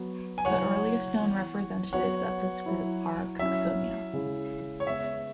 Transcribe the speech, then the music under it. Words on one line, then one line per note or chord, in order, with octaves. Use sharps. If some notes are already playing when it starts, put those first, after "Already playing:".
The earliest known representatives of this group are "Cooksonia".
Already playing: F#3 B3 F#4
G#5
C#3 F#3 E4 C#5 F#5
E3 B3 E4
F#3 B3 F#4 C#5 F#5
F#3 E4
F#3 C#4 E4 E5
C#3 G#3 C#4 E4
C#5
C#3 G#3 B3 E5